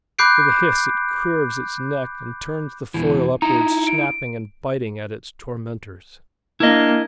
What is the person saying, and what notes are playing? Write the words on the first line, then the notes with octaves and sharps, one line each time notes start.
With a hiss it curves its neck and turns the foil upwards, snapping and biting at its tormentors.
B5 D6 F#6 G6 C7 D7
E2 B2 E3
D#4 E4 A#5
D7
A#3 D4 E4 D#5